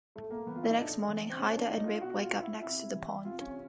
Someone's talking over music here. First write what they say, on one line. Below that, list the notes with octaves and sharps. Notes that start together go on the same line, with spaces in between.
The next morning, Hyder and Rip wake up next to the pond.
A2 A3
A#3
E3 B3
F4
E4
D#4
A2 D4
E3
C4
B2 C#4
D4
D#4
F4
B2 F#4
F4
E4
C3 E4
E3
C3 F4
C#4